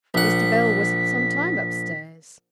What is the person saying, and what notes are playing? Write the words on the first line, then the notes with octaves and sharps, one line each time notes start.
Mr. Bell was some time up-stairs.
A#1 F#5 B6